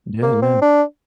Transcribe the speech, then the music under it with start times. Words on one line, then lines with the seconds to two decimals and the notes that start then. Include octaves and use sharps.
Yeah. Yeah.
0.22 A#3
0.42 C4
0.62 D4